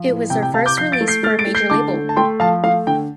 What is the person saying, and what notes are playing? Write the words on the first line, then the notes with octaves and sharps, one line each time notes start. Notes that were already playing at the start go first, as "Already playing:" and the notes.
It was their first release for a major label.
Already playing: F3
A2
C3 G5
G5
C3 F5 A5
D6 G6
F3 G6 C7
A6 D7
A3
G6 C7
A3 F6 A6
A6 D7
A3
G6 C7
D3 A5 D6
A3
A5
A3 G5 C6
F3 F5 A5
A3 F5
D3 G5